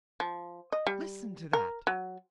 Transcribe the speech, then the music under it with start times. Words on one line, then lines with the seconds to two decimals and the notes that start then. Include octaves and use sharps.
Listen to that!
0.20 F3
0.72 D#5
0.87 G3
1.53 A#4
1.87 F#3